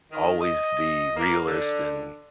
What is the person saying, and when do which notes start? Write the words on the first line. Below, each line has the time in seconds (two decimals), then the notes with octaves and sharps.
always the realist and
0.11 D#3
0.41 D#5
1.17 A#3
1.48 D3